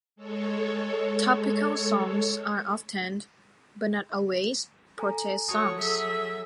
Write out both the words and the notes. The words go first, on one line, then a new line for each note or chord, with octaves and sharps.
Topical songs are often, but not always, protest songs.
G#3 A4 C#5
A4 G#5 A#5
F#4 A4 C#5 A5 D#6
F#3 G#4 A4 E5